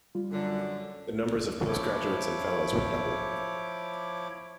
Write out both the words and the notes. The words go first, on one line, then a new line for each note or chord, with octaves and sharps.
The numbers of postgraduates and of fellows were doubled.
G3 F4
F#2 D3
F3 E4 C#5 D6